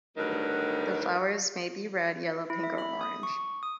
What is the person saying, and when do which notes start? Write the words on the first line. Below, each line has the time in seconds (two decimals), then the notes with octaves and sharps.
The flowers may be red, yellow, pink, or orange.
0.17 D2 G2 D#3 F#3 B4
2.50 E4
2.63 E5
2.78 B5
3.01 D#6
3.23 C#6
3.63 D#6